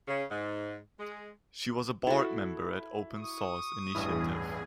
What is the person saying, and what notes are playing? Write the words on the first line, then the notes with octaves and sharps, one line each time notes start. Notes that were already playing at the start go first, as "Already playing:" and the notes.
She was a board member at Open Source Initiative.
C#3
G#2
G#3
E4 F#4 A4
C#6 D#6
A1 E2 G2 E4 G#4